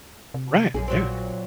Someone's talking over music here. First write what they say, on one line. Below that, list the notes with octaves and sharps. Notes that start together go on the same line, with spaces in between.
right? Yeah,
C3
A#1 F#2 G#4
A#2 F#3 C4